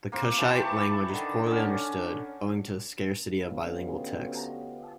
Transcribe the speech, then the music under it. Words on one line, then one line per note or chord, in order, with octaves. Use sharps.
The Kushite language is poorly understood, owing to the scarcity of bilingual texts.
A#3 C4
E3 G4 A5
A5 B5 C#6
D3 D#3
D3 C#4
D2 B3 C#4 F4 G4 D#5